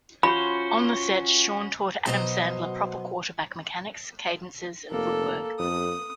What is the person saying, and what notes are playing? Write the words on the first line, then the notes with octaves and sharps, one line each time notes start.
On the set, Sean taught Adam Sandler proper quarterback mechanics, cadences, and footwork.
C#4 F4 F#4 C5 B5
B2 F#3 C5 D#5 A5 A#5
F1 A#3 A4
F2 D#6